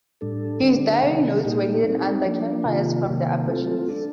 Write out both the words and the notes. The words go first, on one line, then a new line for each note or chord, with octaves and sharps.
His diary's notes were hidden under camp fires from the Aborigines.
A2 G3 D4 A4
D3 G3 D4
C3 D#3 G3
A#2 G3 A#3 D#4 G4
G3 C4 D#4
F3 A#3 D4
C3 D#3 A#3 F4
C3 D#3 A#3
A3 C4 F4 A4
A3 D4 A4